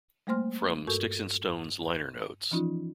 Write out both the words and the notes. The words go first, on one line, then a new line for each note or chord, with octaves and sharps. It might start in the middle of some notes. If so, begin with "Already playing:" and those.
From "Sticks and Stones" liner notes.
G3 A3 A#3 C5 C6 F6
G2 F#4 A4 A#4 C#6 G6
E3 F3 C#4 D#4 F4